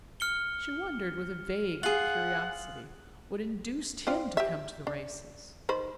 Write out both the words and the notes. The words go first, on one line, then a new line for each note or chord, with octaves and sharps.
She wondered with a vague curiosity what induced him to come to the races.
F6 C#7 G7
F4 G#4 F#5 F#7
C4 D4 F4
G4 E5
D4
D#3 C5 B5